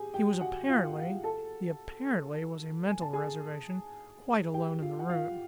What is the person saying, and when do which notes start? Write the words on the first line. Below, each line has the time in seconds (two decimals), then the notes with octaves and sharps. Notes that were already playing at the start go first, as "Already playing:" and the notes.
He was apparently--the "apparently" was a mental reservation--quite alone in the room.
Already playing: G4 G#4 G#5
0.14 G4 G5
0.41 F#4 F#5
0.69 F4 F5
0.96 F4 F5
1.24 A4 A5
2.89 G#5
3.02 A5
3.13 G#4 G#5
4.54 G4 G5
4.82 F4 F5
4.99 F#5
5.09 F4 F5